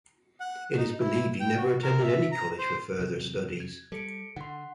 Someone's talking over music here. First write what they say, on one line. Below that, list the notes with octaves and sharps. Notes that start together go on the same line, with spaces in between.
It is believed that he never attended any college for further studies.
F#5
D#4
E4
G5
F#4
A#4
E5
A#5
C5
E2 C3 F#3
G#6
G3 A4 C#7 D7
D3 F#5 C6